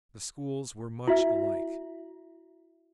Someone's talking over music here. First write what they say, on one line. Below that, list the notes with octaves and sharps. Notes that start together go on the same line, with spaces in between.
The schools were much alike.
E4 F#4 E5